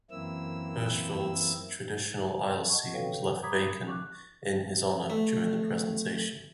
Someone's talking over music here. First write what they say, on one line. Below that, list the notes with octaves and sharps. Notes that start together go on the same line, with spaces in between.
Hirschfeld's traditional aisle seat was left vacant in his honor during the presentation.
F#2 E3 A#3 C4 E4 E6
D#5 F#5 A5 C#6
F#4 A4 B4 C#5 F5 G5
A#5 B5 D6 D#6 G#6 B6
C#6 D6 F#6
A3